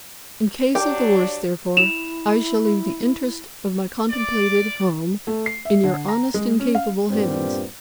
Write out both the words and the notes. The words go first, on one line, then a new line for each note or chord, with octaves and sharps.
In case of the worst, therefore, I shall leave the interests of my contemplated Home in your honest and capable hands.
F#3 D4 G4 D5
E4 E7 F7
D5
A3
C7
E5
D3
A#5
G#3
C#4
F5
G2 A#2 G3 B3 C4